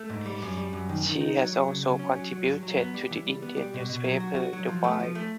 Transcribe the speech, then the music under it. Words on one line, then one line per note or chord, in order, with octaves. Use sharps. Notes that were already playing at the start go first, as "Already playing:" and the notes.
She has also contributed to the Indian newspaper "The Wire".
Already playing: A3
G#2
G3
F#2
G3
F#2
D#3
D#3
D#4
F#3
F#3
C#3
F#3
C#4
F#3
F#3
G2
F#3
B3
G3
E3
G3
B3
G3
B2
B2
F#3
F#4
F#4
F#3
F3
A3
F3
A3